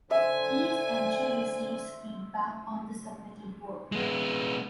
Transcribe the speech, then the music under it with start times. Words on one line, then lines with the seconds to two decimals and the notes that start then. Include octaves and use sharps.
Each entry receives feedback on the submitted work.
0.11 D3 C5 E5 G#5
3.92 G#3 B3